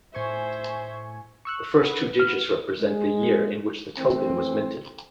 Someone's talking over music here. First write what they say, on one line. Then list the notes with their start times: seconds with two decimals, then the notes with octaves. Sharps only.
The first two digits represent the year in which the token was minted.
0.15 A2 C5 E5 G#5 C#6
1.45 C#6 E6 F#6
1.74 B4 F#5
2.20 F6
2.80 G#3
3.98 E3 A3 C4